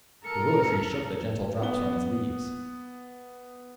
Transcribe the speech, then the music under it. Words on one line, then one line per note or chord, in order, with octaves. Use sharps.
The willow-tree shook the gentle drops from its leaves.
A4 A#4 C#7
B3 G7